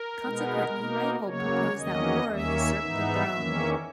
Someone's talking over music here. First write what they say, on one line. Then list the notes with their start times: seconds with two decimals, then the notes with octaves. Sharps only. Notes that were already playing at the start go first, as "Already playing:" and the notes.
Consequently, Ryholt proposed that Hor usurped the throne.
Already playing: A#4
0.23 B2 G#3 B3 D#4
0.75 B2 A#3 D#4
1.26 C#3 F#3 A#3 C#5
1.78 E2 D#3 F#3 A#3 C#4 D#5
2.30 D#2 D#3 A#3 C#4 E5
2.81 G#2 E3 B3 D#4
3.34 E2 D#3 A#3 C#4